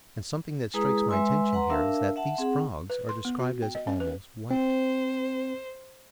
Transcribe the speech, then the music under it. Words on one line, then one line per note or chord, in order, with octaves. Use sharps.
And something that strikes my attention here is that these frogs are described as almost white.
G#3 E4 G#4 B4 A#5 D#6
G#3 B4 E5 G#5 C6 E6
B4 F#5 A#5 C6
D4 A#4 E5 F5 A5 E6
E5 F#5 A5
C4 G#4 F#5
B4
C6
B3
F#4
G5
D#5
C#4
B4
C4 C5